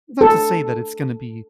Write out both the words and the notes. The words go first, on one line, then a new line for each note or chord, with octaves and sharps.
Not to say that it's gonna be
A4